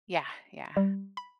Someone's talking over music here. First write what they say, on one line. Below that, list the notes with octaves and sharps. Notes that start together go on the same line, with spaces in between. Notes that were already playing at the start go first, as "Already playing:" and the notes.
Yeah, yeah.
G3
B5